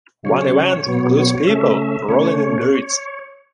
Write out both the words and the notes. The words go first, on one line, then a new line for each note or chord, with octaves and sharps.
One event includes people rolling in grits.
C#3 F#3 C#4 C#5
B2 F#3 B3
C#5
C#3 A3 C#4 E5
C#3 A3 C#4 C#5